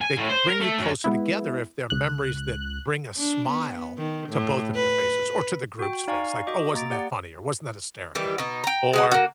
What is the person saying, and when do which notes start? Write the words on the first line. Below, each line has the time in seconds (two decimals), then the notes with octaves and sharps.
they can bring you closer together if they're memories that bring a smile to both of your faces, or to the group's face, like, "Oh, wasn't that funny," or, "Wasn't that hysterical?" Or,
0.01 G#5
0.17 A2
0.29 C5
0.48 A#4
0.61 A3
0.79 F#2
1.04 G#3 B3 E4
1.90 C#2 F#6
3.17 D4
3.49 B3
3.98 D#3
4.29 A2
4.75 B4
5.79 F#4 G5
6.08 D#4 D5 F5 G#5 A#5 C#6
6.47 F#4 D#5 D6
6.74 A#3 A#5 A6 D7
6.90 G4 D5 F#5
8.15 D#3 E3 G3 G4
8.38 B2 D#4
8.64 G5 A#5
8.93 G#3 D#4 F#5
9.11 A#3 F#4